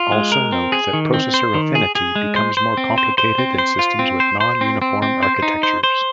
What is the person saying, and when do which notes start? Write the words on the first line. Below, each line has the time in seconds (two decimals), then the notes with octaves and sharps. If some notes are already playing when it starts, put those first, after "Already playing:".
Also note that processor affinity becomes more complicated in systems with non-uniform architectures.
Already playing: F4
0.12 G#3
0.32 A#4
0.52 C4
0.72 G#4
0.93 D#3
1.14 C4
1.34 C5
1.54 D#3
1.75 G#4
1.95 G#4
2.16 G#3
2.36 C5
2.57 C5
2.77 C4
2.98 C5
3.18 C5
3.38 C4
3.58 C5
3.79 F4
3.99 C4
4.20 C5
4.41 C5
4.61 C4
4.82 C4
5.02 C4
5.23 C5
5.42 D#4
5.63 C5
5.83 C5